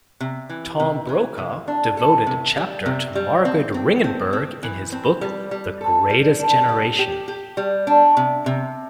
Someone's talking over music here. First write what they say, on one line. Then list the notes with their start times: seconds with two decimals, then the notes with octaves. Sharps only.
Tom Brokaw devoted a chapter to Margaret Ringenberg in his book "The Greatest Generation".
0.20 C3
0.49 E3
0.80 C3
1.09 E3
1.38 C3
1.68 D4
1.97 A4
2.27 C3
2.57 G3
2.86 C3
3.15 G3
3.45 C4
3.74 C4
4.04 C4
4.33 C4
4.63 E3
4.92 C4
5.21 G3
5.51 G3
5.81 A4
6.10 G3
6.40 D4
6.69 G4
6.99 G4
7.28 G4
7.57 G3
7.87 D4
8.17 C3
8.46 C3